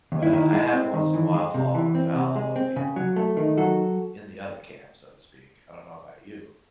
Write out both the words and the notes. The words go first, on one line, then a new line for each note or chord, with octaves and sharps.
but I have once in a while fallen afoul of people who are, uh, in the other camp, so to speak. I don't know about you.
D#2
E4
D#3
G#3
C4
D#3
E3
G#3
C3
E3
C4
C3
G#3
C4
C#3
F#3
A3
D#3
F#3 F#4 A4